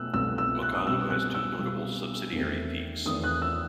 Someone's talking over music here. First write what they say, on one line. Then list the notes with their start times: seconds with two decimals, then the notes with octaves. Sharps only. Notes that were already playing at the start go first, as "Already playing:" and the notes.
Makalu has two notable subsidiary peaks.
Already playing: B2 A3 E6 F#6
0.14 C2 B2 A3 E6
0.38 E6
0.62 F#6
0.75 D#6
0.87 B2 G3 C4 E6
1.10 F#6
1.34 E6
1.59 B2 G3 C4
2.32 E2 D#3 A3 C4
3.05 E2 D#3 A3 C4 D#6
3.24 F#6
3.42 E6